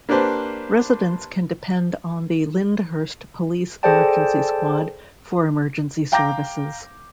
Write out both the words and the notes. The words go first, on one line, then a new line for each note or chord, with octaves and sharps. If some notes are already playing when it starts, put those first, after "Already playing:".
Residents can depend on the Lyndhurst Police Emergency Squad for emergency services.
A#3 D4 G4 B4 C5 A5
G#4 A4 C5 D5 G5 A5
F5 G5 A#5 D6 G6 A#6